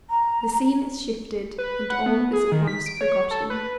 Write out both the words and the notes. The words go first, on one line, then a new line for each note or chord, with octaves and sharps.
The scene is shifted, and all is at once forgotten.
A#5
B4
F#5
B3
G#4
D#3
B6
D7
C#5
A4
B4